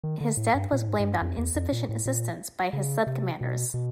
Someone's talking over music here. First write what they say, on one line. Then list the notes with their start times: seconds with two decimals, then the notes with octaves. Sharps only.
His death was blamed on insufficient assistance by his subcommanders.
0.04 D#3
0.21 D3
0.37 A2
0.55 G2
0.72 A#2
0.80 A2
0.88 G#2
1.00 G#2
1.04 G2
1.21 F2
1.38 E2
1.55 F2
1.72 A#2
1.89 A2
2.05 A#2
2.73 C#3
3.07 C3
3.41 B2
3.74 B2